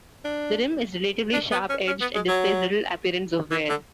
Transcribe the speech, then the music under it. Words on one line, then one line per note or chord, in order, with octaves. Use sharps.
The rim is relatively sharp-edged, and displays little appearance of wear.
D4
D4
B3
C#4
C#4
B3
G#3
F#3
E3
D3